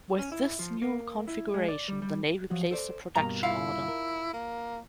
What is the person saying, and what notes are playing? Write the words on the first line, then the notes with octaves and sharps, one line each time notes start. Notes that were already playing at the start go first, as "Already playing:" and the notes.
With this new configuration, the Navy placed a production order.
C#4
E4
F3
A#3
E4
G#3
D5
G3
G3
F3 F#3 F#4
A4 C5 D5
G2 B2 A#3 A#5
E4 F4 F5
A#4
A#3